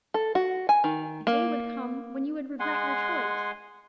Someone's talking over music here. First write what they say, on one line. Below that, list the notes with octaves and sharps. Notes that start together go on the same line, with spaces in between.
The day would come when you would regret your choice.
A4
F#4
G#5
D#3
A#3
G#3 F#5 G#5 C6